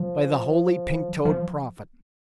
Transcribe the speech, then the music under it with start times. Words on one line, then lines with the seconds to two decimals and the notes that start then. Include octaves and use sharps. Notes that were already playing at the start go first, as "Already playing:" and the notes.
By the Holy Pink-toed Prophet!
Already playing: F3
1.25 F3